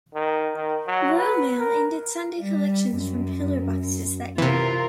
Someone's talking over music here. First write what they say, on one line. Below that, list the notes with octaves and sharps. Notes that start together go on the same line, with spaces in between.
Royal Mail ended Sunday collections from pillar boxes that year.
D#3
D#3
F#3
B4
A#4
G3
F#2
C3 E3 F4 A#4